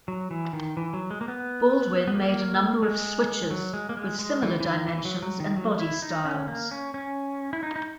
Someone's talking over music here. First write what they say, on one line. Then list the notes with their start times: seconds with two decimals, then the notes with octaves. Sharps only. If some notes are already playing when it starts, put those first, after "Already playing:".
Baldwin made a number of switchers with similar dimensions and body styles.
0.08 F#3
0.31 E3
0.53 D#3
0.77 E3
0.93 F#3
1.11 G#3
1.21 A#3
1.28 B3
2.08 B3
2.14 A#3
2.82 G#3
3.51 F#3
3.73 G#3
3.89 A#3
3.97 G#3
4.19 G#3
4.42 E3
4.60 E3
4.65 D#3
4.88 E3
5.05 F#3
5.22 F#3
5.40 D#3
5.57 F#3
5.80 E4
6.02 D#4
6.25 C#4
6.48 A#3
6.71 C#4
6.94 C#4
7.53 E4
7.63 D#4
7.76 D#4